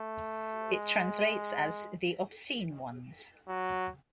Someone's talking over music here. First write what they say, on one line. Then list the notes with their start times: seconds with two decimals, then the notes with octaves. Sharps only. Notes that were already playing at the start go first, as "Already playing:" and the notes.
It translates as 'The Obscene Ones'.
Already playing: A3
0.73 G#3
3.48 F#3